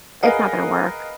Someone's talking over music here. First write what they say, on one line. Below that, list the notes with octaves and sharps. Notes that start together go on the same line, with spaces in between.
it's not gonna work.
G#4 A#4 B4 D#5 F5 F#5